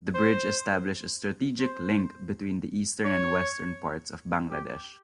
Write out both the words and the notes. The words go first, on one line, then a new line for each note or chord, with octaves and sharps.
The bridge established a strategic link between the eastern and western parts of Bangladesh.
C5
C5
C#5
G4